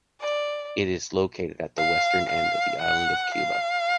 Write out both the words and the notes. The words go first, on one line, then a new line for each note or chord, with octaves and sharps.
It is located at the Western end of the island of Cuba.
D5
F5
F5
F#5
F5